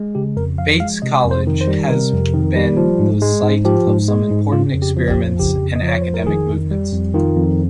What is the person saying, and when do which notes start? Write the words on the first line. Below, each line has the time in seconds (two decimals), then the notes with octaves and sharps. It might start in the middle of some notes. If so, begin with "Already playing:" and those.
Bates College has been the site of some important experiments and academic movements.
Already playing: G#3
0.15 C#3 G4
0.36 F2 A#4
0.58 F3 F5
0.80 G#3 F5
1.02 C3 D#5
1.24 F2
1.31 C5
1.47 D#3
1.61 C5
1.67 G3
1.89 C3 A#4
2.12 F2
2.34 D#3
2.56 G3
2.77 F3
2.99 G#2
3.22 G#3
3.42 G#2
3.65 F3 G4
3.87 G#2
4.08 G#3
4.30 G#2
4.52 C#3 F4
4.74 F2
4.82 G4
4.97 F3
5.10 G4
5.17 F2
5.39 C#3 G4
5.62 F2
5.76 D#5
5.83 F3
5.88 C#5
6.02 F2 C5
6.14 A#4
6.27 D#3 G#4
6.48 F2
6.71 G3
6.92 F2
7.14 D#3 F4
7.36 F2